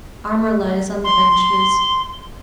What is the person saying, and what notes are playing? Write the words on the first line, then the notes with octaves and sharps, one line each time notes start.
Armor lies on the benches.
C6